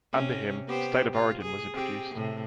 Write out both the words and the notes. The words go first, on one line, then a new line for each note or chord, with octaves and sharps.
Under him State of Origin was introduced.
C3 C#4
B3 G4 C5
F4
G#4
C4 G4 G#4
A2 C3